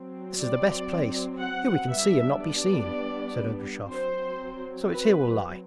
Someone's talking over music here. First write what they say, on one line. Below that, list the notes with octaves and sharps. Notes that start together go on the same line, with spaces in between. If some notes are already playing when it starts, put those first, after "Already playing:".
'This is the best place; here we can see and not be seen,' said Ergushov, 'so it's here we'll lie.
Already playing: F#3 C4
D5
F#5
G3 B3 D4 E5
D5
F#3 C4 C5
B4